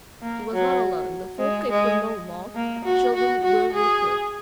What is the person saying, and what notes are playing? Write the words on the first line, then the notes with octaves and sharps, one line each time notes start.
She was not alone: the four Kapernaumov children were with her.
A#3
F#3
G#3
G#3
A#3
F#4
F#4
F#4
G#4